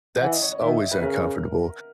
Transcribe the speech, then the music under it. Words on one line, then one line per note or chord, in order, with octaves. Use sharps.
that's always uncomfortable,
E3 F#5
D#5
C#5
C#5
D#3 E5
D#5
C#5
B4
C#3 A#4